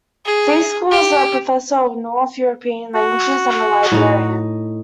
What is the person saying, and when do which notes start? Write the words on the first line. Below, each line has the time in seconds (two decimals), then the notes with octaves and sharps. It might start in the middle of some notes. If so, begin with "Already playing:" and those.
Fiske was a professor of north European languages and a librarian.
0.26 G#4
0.91 G4
2.95 F#4
3.92 A2 D#4